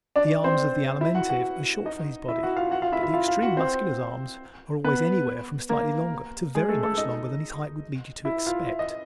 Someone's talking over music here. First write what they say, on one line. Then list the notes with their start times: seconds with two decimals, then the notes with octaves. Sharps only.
The arms of the Alimentive are short for his body but the extreme Muscular's arms are always anywhere from slightly longer to very much longer than his height would lead you to expect.
0.16 D4 D5
0.44 C4 C5
1.01 E4 E5
1.15 F#4 F#5
1.29 F#4 F#5
1.86 D#4 D#5
2.28 E4 E5
2.43 F#4 F#5
2.57 F4 F5
2.71 F#4 F#5
2.82 F4 F5
2.92 E4 E5
3.03 E4 E5
3.14 F4 F5
3.28 F4 F5
3.42 F#4 F#5
3.57 C4 C5
4.84 B3 B4
5.69 A#3 A#4
6.55 G#3 G#4
6.69 A3 A4
6.83 A3 A4
6.97 D#4 D#5
8.25 E4 E5
8.46 F4 F5
8.68 E5
8.79 D#5